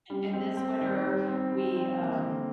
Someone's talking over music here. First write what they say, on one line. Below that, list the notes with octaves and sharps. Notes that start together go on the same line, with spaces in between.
and this winter, we, um
G3
C4
C4
D#3
G3
C4
G3
C4
A#3
D3